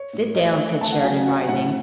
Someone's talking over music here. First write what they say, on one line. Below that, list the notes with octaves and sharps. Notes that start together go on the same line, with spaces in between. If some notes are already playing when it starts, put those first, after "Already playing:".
"Sit down," said Sheridan, rising.
Already playing: C#5
A2
A3 D#5
A3
A3 A5
F#5
F#3 G#5
F#3 F#5
A2 F#5